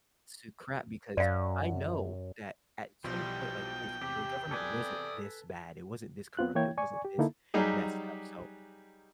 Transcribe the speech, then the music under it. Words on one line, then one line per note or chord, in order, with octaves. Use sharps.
to crap? Because I know that at some point, like, this the government wasn't this bad, it wasn't this corrupt, it wasn't this messed up. So,
F#2 D5 F5
B1 B2 F3 G3 E4 G5 C6
E2 C3 G4
A4 B4 D5 G#5 D6 D#6
B3 C4 F4 F#6
E3 A#3 E4 C#5 G5 G#6
D5 G#5 C#6
G4
D3 A#3 D#4 E4 A4
F#3 G3 D#4 G4 G#4